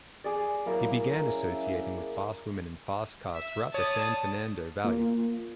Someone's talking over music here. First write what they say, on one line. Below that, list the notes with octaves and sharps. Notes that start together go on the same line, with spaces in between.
He "began associating with fast women and fast cars throughout the San Fernando Valley".
G#4 D5
F#3 A#3 E4 A#4
F#2 C#4 E5
E5
C#5 D5 A5 D#6
A#3 F4